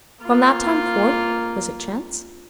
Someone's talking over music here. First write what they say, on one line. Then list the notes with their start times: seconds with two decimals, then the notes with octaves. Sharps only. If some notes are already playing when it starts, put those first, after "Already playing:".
From that time forth, was it chance?
0.23 A#3 F4